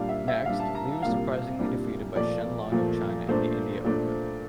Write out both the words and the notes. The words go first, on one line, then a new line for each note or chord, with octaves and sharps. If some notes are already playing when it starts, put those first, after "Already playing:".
Next, Lee was surprisingly defeated by Chen Long of China in the India Open.
Already playing: A#2 G3 D4 F5
E5
E5
A#2 G3 D4 F5
A5
A#5
C2 A#2 G3 A#3 D4 F5
C2 A#2 G3 A#3 D4
A#2 F3 A3 D5
A#2 F3 A3
A#2 A3 D4 C5
A#2 A3 D4